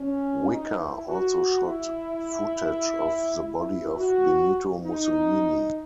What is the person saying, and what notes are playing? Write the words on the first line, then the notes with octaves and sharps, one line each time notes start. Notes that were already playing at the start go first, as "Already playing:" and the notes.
Whicker also shot footage of the body of Benito Mussolini.
Already playing: C#4
D#4
E4
F#4
E4
E4
F#4
D#4